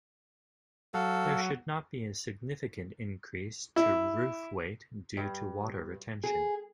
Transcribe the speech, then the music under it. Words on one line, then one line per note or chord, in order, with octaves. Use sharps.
There should not be a significant increase to roof weight due to water retention.
F#3 A4 F5
E4
G2
G#4